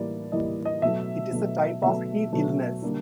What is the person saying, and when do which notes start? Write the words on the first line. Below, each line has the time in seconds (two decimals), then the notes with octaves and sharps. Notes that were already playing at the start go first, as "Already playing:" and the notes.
It is a type of heat illness.
Already playing: A2 E3 G3 A#3 D5
0.32 A2 E3 G3 A#3 D#5
0.65 D#5
0.82 B2 F#3 A3 E5
1.33 B2 F#3 A3
1.82 B2 F#3 A3 E5
2.33 B2 F#3 A3
2.82 D3 G3 A#3